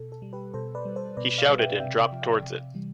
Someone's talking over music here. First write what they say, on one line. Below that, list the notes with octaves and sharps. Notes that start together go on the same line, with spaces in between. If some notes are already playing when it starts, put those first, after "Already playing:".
He shouted and dropped towards it.
Already playing: B2 A4
A4
G3
G4 B4
B2 A4 C5
B4 D5
G3
A4 C5
B2 B4 D5
D5 F5
G3
E5 G5
C3 E5 G5
D5 F5
F3
D5 F5
C3
E3 G3